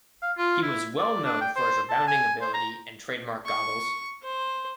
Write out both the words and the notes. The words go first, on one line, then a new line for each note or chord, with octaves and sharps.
He was well known for his rebounding ability and trademark goggles.
F5
F4
E4
D5
D4
G5
C5
A5
G#5
C5
A#5
C#6
C5